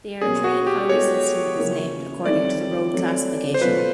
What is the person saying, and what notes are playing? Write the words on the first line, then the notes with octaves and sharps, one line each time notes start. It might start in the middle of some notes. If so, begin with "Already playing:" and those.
The Eritrean highway system is named according to the road classification.
B2 F#3 A#3 C#4 G#4
F#4
G4
G#3 B3 E4 A4 C#5
C#3 F#3 A#3 C#4 E4
D#3 G3 C4 E4 A4 D5
F#3 A3 C4
C5
B2 F#3 A3 C#4 F4 B4